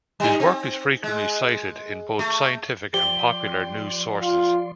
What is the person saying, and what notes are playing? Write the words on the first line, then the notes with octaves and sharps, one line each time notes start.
His work is frequently cited in both scientific and popular news sources.
G3 D#4
C4
G#3
A3
F3 G4 D5 C6 G7
F4